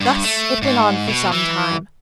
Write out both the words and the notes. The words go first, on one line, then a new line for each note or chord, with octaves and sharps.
Thus it went on for some time.
G2
A3
G#2
B2
E3